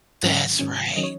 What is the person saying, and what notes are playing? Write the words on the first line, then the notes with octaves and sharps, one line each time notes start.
That's right.
G#2 D#3 F#3 C#4 F#5
G#2 D#3 F#3 C#4
D#3 F#3 C#4 D#5
C#5